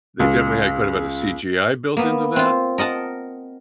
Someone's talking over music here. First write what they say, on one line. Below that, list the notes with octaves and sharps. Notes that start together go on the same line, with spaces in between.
they definitely had quite a bit of CGI built into that,
C#2
A#3 B3
C4 F4
A#4 D#5 F#5 A5